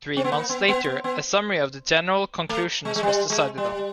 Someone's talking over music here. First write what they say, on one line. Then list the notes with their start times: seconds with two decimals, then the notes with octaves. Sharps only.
Three months later, a summary of the general conclusions was decided on.
0.17 C4
0.24 B3
0.32 A#3
0.49 B3
0.68 B3
0.86 B3
1.04 B3
2.49 A3
2.85 G#3
2.96 G#3
3.03 G3
3.30 G#3
3.58 G3